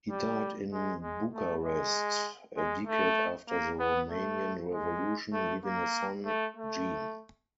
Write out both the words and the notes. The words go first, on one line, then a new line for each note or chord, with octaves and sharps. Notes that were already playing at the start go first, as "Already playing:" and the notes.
He died in Bucharest a decade after the Romanian Revolution, leaving a son, Jean.
G3
G#3
G#3
A3
G#3
G#3
A3
A#3
B3
A3
G#3
A3
A#3
A3
A3